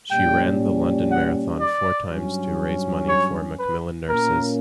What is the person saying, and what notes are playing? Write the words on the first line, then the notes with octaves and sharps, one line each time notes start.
She ran the London Marathon four times to raise money for Macmillan Nurses.
A#2 G3 C#4 G5
F#5
D5
G2 F#3 C#4
C#5
B4
A#2 A#3 C#4 A#4